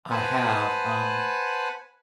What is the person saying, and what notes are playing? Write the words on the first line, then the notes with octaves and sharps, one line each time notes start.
I have, um
B4 C5 F#5 G#5 A5 B5